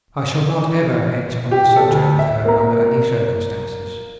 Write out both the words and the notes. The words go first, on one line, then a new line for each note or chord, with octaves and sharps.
I shall not ever enter on the subject with her under any circumstances.
G4
A4
D2
E5
A#3 A#5